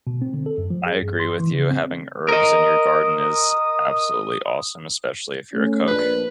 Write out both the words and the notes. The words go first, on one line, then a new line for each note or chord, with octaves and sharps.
I agree with you. Having herbs in your garden is absolutely awesome, especially if you're a cook.
B2
C4
D3
A4
F#2
F3
G#4
G2
C6
E3
C#3
C4
A#4 D#5 D#6
A3 C#4
A#1 D4 B4